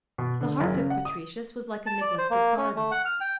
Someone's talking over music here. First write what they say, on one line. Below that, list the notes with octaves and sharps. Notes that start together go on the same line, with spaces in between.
The heart of Patricius was like a neglected garden.
B2
D3
F#1
C#3
F#5
D#6
A5
D5
C5
A#3
C#4
A3
F#5
F6
G5